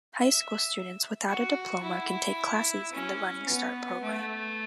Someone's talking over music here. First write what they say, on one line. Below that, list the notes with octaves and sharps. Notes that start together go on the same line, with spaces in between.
High school students without a diploma can take classes in the Running Start program.
E5
F#4
E4
C#4
B3
A3